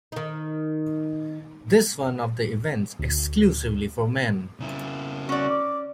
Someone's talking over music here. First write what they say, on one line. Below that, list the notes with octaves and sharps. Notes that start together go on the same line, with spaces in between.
This is one of the events exclusively for men.
D#3 D#4
D2
C#3 E4
C#4 F#4 D5
D6